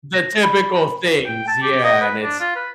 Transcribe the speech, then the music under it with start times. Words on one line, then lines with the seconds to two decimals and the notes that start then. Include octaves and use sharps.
The typical things, yeah. And it's
0.14 A#6
0.43 B5
1.26 G5
1.47 A5
1.62 G4
1.84 D#5
2.01 B4
2.23 D4
2.40 F4
2.56 B4